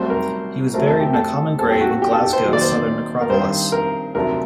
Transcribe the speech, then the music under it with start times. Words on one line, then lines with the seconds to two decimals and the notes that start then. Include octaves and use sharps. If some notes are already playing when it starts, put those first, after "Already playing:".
He was buried in a common grave in Glasgow's Southern Necropolis.
Already playing: C2 C3 F#3 A3 C5
0.10 A#4
0.74 D2 C3 F#3 A3 C4 A#4
0.87 A4
1.00 G4
1.14 A4
1.58 A#2 G3 C4 A4
1.70 G4
1.81 F#4
1.91 F#4
2.02 G4
2.13 A4
2.24 G4
2.33 C5
2.44 D#2 D#3 F#3
2.53 D5
2.61 C5
2.70 D5
3.21 A#4
3.29 G2 D#3 G3 C4 C5
3.72 A#4
4.15 D2 C3 F#3 A3 A#4